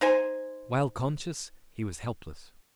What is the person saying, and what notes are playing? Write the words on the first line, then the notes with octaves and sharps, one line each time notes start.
While conscious, he was helpless.
D#4 C5 G#5